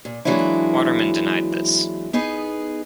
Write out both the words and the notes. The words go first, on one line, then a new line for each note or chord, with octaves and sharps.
Waterman denied this.
A#2
E3 F#3 G#3 A#3 D4 E4
B3 D#4 G#4 B4